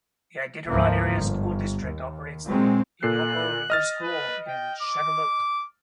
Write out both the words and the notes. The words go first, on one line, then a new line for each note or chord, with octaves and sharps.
The Iditarod Area School District operates the Innoko River School in Shageluk.
D2 G#2 F3 A#3
G1
D#2
A#2 F#3 G#3 C4
A#2 A4 F#6 C7
D#5 F6 A6
B4
G5
D6